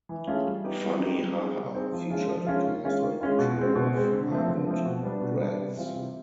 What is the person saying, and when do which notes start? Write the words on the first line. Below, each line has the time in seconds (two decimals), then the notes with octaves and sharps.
"Funny Ha Ha" featured a cast and crew of Harvard grads.
0.09 E3
0.27 A3 C#4 F4 G#4
0.46 G3
0.64 B3 D#4 G4
0.83 G3
1.00 B3 D#4 G4
1.18 G3
1.37 C4 D#4 G#4
1.56 G3
1.75 C4 D#4 G#4
1.92 F3
2.10 G#3 C#4 F4
2.28 F3
2.47 G#3 C#4 F4
2.66 D#3
2.84 G#3 C#4 F4
3.02 D#3
3.21 G#3 C#4 F4
3.39 B2
3.58 G#3 C4
3.75 B2
3.94 G#3 C4
4.12 D3
4.31 F3 A3 C4
4.48 D3
4.67 F3 A3 C4
4.85 B2
5.03 G3 B3 D4
5.21 B2
5.40 G3 B3 D4
5.59 C3
5.77 E3 G3 C4 F4
5.95 C3